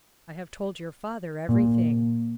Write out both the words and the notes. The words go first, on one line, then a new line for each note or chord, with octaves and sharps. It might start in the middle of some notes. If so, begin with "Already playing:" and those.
"I have told your father everything."
A#2